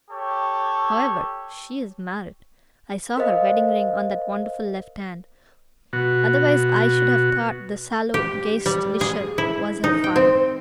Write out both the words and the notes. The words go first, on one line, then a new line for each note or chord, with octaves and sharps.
However, she is married; I saw her wedding-ring on that wonderful left hand, otherwise I should have thought the sallow Geistlicher was her father.
G4 A4 C#5
A#4 C5 D#5 F5
B2 F#4
G4
G3
G#4
E4
D#4
G5
C4